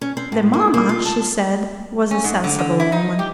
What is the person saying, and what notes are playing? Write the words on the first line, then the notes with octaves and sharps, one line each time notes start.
The mamma, she said, was a sensible woman.
C#4
C4
A2
A#3
A#3
F4
A5
C#4
G#2
D3
D3
E4
D#4
G4